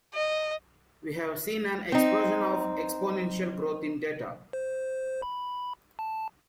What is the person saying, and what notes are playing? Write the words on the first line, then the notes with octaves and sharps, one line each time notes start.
We have seen an explosion of exponential growth in data.
D#5
C4 D#4
C5
B5
A5